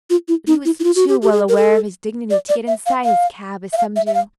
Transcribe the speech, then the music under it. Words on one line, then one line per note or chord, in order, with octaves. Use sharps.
But he was too well aware of his dignity to get inside his cab as some do.
F4
E4
D#4
E4
E4
F4
F#4
G4
G4
G#4
A#4
A4
D5
D5
E5
F5
F5
E5
F5
E5
E5
F5